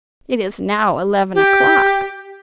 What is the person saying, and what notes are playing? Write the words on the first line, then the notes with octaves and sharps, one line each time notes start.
It is now eleven o'clock.
G4